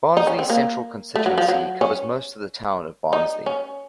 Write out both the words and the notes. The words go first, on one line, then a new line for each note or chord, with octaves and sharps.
Barnsley Central constituency covers most of the town of Barnsley.
D#4
C#4
C4
A#3
A3
F#3
F3
F#3
C#4
D#4
C#4